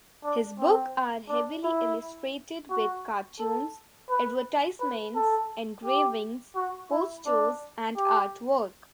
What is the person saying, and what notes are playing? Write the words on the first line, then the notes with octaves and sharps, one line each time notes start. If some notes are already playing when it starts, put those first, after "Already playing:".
His book are heavily illustrated with cartoons, advertisements, engravings, posters and artwork.
D4
C4
D4
E4
F#4
A4
B4
B4
A4
G4
F#4
E4
D4
G4